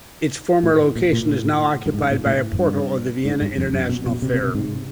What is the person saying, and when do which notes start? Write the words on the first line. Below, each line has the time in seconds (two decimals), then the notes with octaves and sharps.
Its former location is now occupied by a portal of the Vienna International Fair.
0.63 A2
0.96 A#2
1.12 A#2
1.28 A2
1.86 G2
1.94 G#2
2.11 A#2
2.26 A2
2.59 G2
3.25 G#2
3.41 G2
3.57 F2
3.74 F#2
3.89 B2
4.06 B2
4.22 C3
4.34 C3
4.44 C3
4.55 G#2